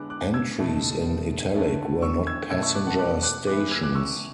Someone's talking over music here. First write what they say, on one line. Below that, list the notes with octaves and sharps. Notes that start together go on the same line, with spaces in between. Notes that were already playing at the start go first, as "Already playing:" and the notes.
Entries in italic were not passenger stations.
Already playing: D3 G#3 B3 D6 F#6
D6 F#6
E6 G#6
B2 A3 E4
D3 A3 C#4 E4
C#6 E6
E6 G#6
B2 A3 E4 E6 G#6
C#6 E6
D6 F#6
F#5 A5
D6 F#6
D6 F#6
E3 B3 E4 D6 F#6
D6 F#6
E6 G#6
D6 F#6
C#6 E6